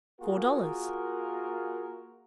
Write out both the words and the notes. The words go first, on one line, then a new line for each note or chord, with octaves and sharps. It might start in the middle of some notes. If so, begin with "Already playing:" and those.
"Four dollars."
A#3 F4 F#4 G#4 A#4